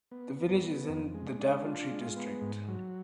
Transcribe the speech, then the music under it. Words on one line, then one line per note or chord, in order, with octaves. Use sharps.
The village is in the Daventry district.
B3
B3
B3
F2
G#3
D4
F4
G#3
B3
G#2
F#3